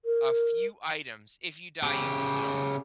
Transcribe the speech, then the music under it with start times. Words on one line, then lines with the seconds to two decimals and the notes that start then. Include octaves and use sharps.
a few items if you die, you lose it all.
0.05 A#4
1.83 C#3 G4